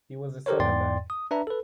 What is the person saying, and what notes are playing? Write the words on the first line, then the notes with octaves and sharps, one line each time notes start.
He was a centre back.
G4 A4 A#4 C5 C#5
E2 G#2 D5 G5 C6 A6
D#6
D4 B4 E5 A#5
A4 B4